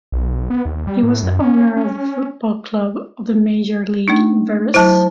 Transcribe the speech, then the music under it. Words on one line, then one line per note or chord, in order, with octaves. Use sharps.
He was the owner of the football club of the major league "Veres".
B1
B3
D#2
G3
A2
F#2
C#4
C#4
A3 D4 D#4
F#3 E4 C5 A5